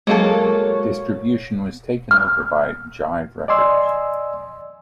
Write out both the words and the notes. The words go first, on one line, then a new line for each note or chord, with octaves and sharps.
Distribution was taken over by Jive Records.
F#3 G#3 A#3 A4 C#5
F6
D5 D#5 G#5 C6 E6